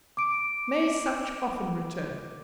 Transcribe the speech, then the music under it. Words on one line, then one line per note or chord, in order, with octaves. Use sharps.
May such often return.
D6 D7